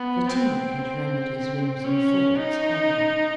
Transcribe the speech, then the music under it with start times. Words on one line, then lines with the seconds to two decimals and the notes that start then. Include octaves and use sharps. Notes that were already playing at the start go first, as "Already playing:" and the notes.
Fatigue had rendered his limbs and thoughts heavy.
Already playing: B3
0.28 C4
1.84 C#4
2.36 D#4